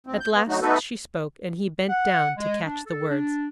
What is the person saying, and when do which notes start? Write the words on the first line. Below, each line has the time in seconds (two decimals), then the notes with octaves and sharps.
At last she spoke, and he bent down to catch the words.
0.07 D2 C4
0.20 G6
0.33 B3
0.48 D3 F#3 A3 D#4 F#4
0.61 A3 B3 D#4 F#4 A4 B4
1.89 F#5
2.38 G#3
2.65 D4
2.86 A4
3.09 D4